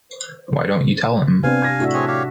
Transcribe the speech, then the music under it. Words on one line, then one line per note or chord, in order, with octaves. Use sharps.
Why don’t you tell him?
C3 B3 C4 D4 B4 F5 G#5
G#6 A#6
A2 D4 F#4 E5
C4 G#4 C#5
G4 C#5 F5